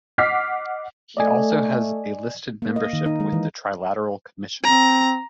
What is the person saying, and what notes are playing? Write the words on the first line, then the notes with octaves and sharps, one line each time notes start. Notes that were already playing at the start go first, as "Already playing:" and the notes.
He also has a listed membership with the Trilateral Commission.
D#5 F#5 D6 F6 B6 C7
A3 D5 D#5 G#5
A#3
D#5
D#3
D#4
G#3
E3
C4 A#5